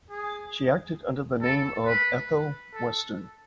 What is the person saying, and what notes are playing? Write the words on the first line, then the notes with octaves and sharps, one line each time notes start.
She acted under the name of Ethel Western.
G#4
A4
B4
A4